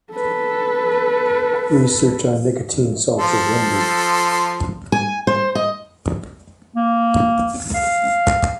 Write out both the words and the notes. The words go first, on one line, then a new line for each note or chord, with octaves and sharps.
Research on nicotine salts is limited.
A4 B4
F3 A4 C6
G#5
C5
D#5
A#3
F5